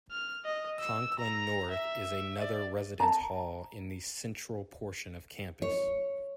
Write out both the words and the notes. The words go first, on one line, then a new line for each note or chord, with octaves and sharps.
Conklin North is another residence hall in the central portion of campus.
F6
D#5
E6
A#5
E5
D5
A5 A#5
C#5